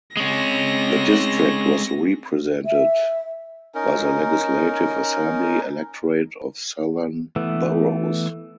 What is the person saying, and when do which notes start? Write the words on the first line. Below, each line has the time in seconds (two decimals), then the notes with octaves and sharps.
The district was represented by the Legislative Assembly electorate of Southern Boroughs.
0.17 G#3 C4 C#4 A#6
2.65 E5
3.75 C#4 D#4 A#4
7.36 E3 A3 B3